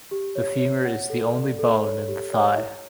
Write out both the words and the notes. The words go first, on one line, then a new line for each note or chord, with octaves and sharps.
The femur is the only bone in the thigh.
G4
C#5
C#5
F#5
A4
D5
A4
C#5
G4
C#5
E4